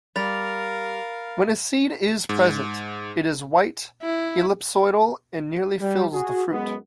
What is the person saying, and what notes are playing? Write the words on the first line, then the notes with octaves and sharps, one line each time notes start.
When a seed is present, it is white, ellipsoidal, and nearly fills the fruit.
G3 A#4 F5 B5 A6 F7
G#2
E4
G3
F#4 G#4
F#2 G#3 B3